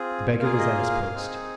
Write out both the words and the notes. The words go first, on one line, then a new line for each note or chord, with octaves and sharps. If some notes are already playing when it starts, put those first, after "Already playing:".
The beggar was at his post.
Already playing: C4 F4 G#4
A#3 F4 G#4 F5
D#5
F5
C4 D#4 G#4